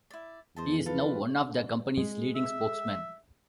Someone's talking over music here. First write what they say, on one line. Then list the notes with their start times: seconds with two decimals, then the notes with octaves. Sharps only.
He is now one of the company's leading spokesmen.
0.11 E4 D5
0.56 E2 C5 D#5 A5
0.86 E3 F3 F4 A4 B4 F5
1.98 G#3
2.35 E5